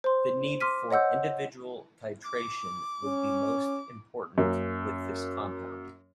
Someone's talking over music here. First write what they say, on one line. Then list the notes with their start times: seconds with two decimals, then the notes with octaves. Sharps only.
The need for individual titration would be most important with this compound.
0.04 C5 C6
0.60 C6 D6 F6 B6 D#7
0.91 C#5 D#5 F#5 E6 G6
2.25 D6
3.04 C#4
4.38 F#2 A#3